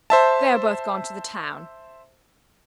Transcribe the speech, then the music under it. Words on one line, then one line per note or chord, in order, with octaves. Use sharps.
They're both gone to the town.
C5 E5 A5